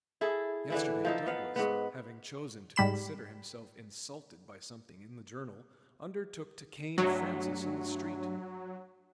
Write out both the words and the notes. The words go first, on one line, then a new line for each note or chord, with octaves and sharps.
Yesterday Douglas, having chosen to consider himself insulted by something in the 'Journal,' undertook to cane Francis in the street.
E4 G#4 A4
D3 E3 E4
F3 D#4 A4
B3 F5
G#2 B3
G#2 G3 B5 E7
G2 F#3 A3